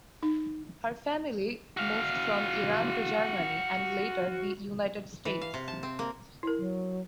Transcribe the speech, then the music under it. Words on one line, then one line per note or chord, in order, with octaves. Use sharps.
Her family moved from Iran to Germany and later the United States.
D#4
F#4 F5
E3
F5
C3
A5
C4
A#3
E4 A#4
F#3